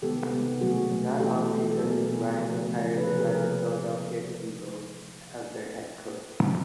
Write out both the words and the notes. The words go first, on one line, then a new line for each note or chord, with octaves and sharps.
That offseason, Ryan was hired by the Philadelphia Eagles as their head coach.
C3 D#3 G#3 B3 G4 A4
C3 D#3 G#3 B3
B2 F#3 A3 F#4 G#4
B2 F#3 A3
E3 A3 G4 A4
E3 A3
A4
B2 F#3 B3 G#4 A#4
B2 F#3 B3 G#4 A#4
C#3 F3 A3
C#3 F3 A3
C3 F3 A#3 A4 B4
G#4 A#4
G4 A4
C3 F3 A#3 G#4 A#4